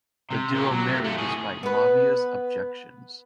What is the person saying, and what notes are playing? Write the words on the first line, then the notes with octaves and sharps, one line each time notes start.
The duo married despite Maivia's objections.
C3
A#2 G4
F#3
C3 A3
A3 F4
A2 G#4
B3 B4